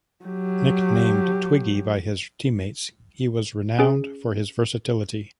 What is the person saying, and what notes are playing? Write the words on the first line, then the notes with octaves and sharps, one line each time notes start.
Nicknamed "Twiggy" by his teammates, he was renowned for his versatility.
F#3 G4
C#4 G#4